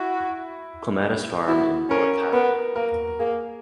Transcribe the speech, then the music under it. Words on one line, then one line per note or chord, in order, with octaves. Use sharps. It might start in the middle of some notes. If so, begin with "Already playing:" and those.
Clematis Farm in North Hatley.
Already playing: E4 F#4
E4 F#4
C#4 A#4
B3 A#4
A#3 A#4
A#3 G#4